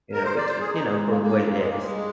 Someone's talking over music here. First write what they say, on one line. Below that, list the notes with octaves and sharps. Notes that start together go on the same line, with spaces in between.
You know, it you know, for what it is.
A#4
C5
D5
C5
G#4
D#4
G#3
A#3
A#3
A#3
G3 G#3
A#3
G#3